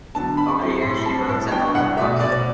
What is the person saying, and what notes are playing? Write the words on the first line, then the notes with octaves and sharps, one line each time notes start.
Over the years, she wrote several more books.
D3 F#3 B3 D4 A5
G2 B5
F#3 C4 E4
A2 C6
B5
G3 C4 A5
A2 A5
G3 B3 D4 G5
C2 F#5
B2 A3 E5
B2 D5